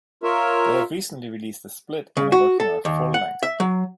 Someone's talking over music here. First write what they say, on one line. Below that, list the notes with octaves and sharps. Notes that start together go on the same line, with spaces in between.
They have recently released a split and are working on a full-length.
F4 A#4 C#5 E5
C#3
F#4
A4
D#2
F#5
E5
F#3